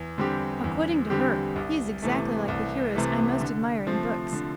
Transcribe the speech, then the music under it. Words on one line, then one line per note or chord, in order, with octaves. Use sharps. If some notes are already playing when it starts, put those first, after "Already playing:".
According to her, he is exactly like the heroes I most admire in books.
Already playing: E2
D3 G3 C4 G4
E2
D3 G3 C4 G4
C2
C3 E3 A3
C2
C3 E3 A3
D3
F3 A3 C4
D3